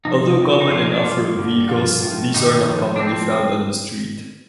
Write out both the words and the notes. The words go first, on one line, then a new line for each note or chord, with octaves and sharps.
Although common in off-road vehicles these are not commonly found on the street.
F2 C3 F3 D#4
F2 C3 F3
D#4
F2 D3 F3 F4
D#4
D4
F2 D#3 G3 F4
G2 D3 G3
G2 D3 F3 F4
A2 F3
G2 D#3 G3 D#4
F2 D3 F3
D4
F2 D3 F3 C4